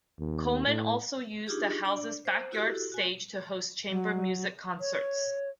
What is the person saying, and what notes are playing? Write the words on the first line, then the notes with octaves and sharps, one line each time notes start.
Coleman also used the house's backyard stage to host chamber music concerts.
D#2
A2
D4 D#4 F4 G4 G#4
D4 D5
C5
E4 F#4 G4 A4
F#4 G#5
F#3
C#5